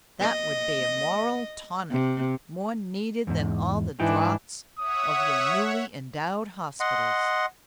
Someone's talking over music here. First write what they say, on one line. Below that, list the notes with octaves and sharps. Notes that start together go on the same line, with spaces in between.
That would be a moral tonic more needed than all the draughts of your newly endowed hospitals.
D#5
C3
E2 G#2
G#2 E3 D4 D#4 G5
C#5 E5 F#5 D#6
D#5 F#5 C6